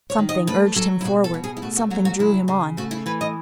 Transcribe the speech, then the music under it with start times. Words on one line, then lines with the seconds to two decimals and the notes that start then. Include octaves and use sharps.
Something urged him forward; something drew him on.
0.10 C#5
0.18 D#3
0.29 D#5
0.47 A3 B4
0.76 F#3 A4
1.01 E4
1.04 B2 F#4
1.24 A4
1.34 B2
1.44 G#4
1.57 E4
1.62 A3 F#4
1.77 F#4
1.90 F#3 F#4
2.05 F#4
2.19 C#3 E4
2.48 C#3
2.77 A3 F#4
2.91 E4
3.06 E3 B4
3.21 D#5